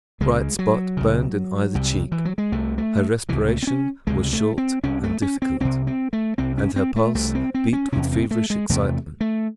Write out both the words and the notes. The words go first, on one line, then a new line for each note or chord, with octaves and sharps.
A bright spot burned in either cheek, her respiration was short and difficult, and her pulse beat with feverish excitement.
C#2 C#3 G#3
F#3
C#2 C#3
C2 C3
E3
F#3
G#3
C2 C3 A3
A3
C#2 C3 E3
A3
C4
C#4
C#2 C3 G#3
A3
C4
C2 C3 C#4
A3
C#4
C4
C2 C3 C4
C4
A3
C2 C3 C4
C#4
C4
A3
C2 C3 A3
C4
C4
C#4
E2 C3 C#4
C4
A3
G#3
E2 C3 A3
A3